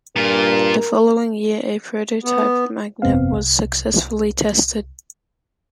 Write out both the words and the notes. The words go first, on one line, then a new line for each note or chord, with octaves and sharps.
The following year a prototype magnet was successfully tested.
G2 A#2 F4 A#4
B3
G1 F2 C3 B3 C4 F5
C2